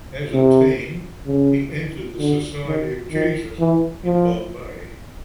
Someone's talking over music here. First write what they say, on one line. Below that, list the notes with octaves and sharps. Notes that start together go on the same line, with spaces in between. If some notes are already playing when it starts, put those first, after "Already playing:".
As a teen, he entered the Society of Jesus in Bombay.
C3
C#3
D3
D#3
D#3
E3
F3